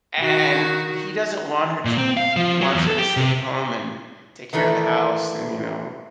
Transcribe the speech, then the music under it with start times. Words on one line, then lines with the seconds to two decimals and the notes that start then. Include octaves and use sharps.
And he doesn't want her to. He wants her to stay at home and take care of the house and, you know,
0.19 D#3 F#4
1.85 A#2
1.98 C4
2.17 F5
2.36 F3
2.61 F#3
2.73 E2
2.87 A4
2.99 G4
3.17 C3
4.53 D#3 E3 A3 D4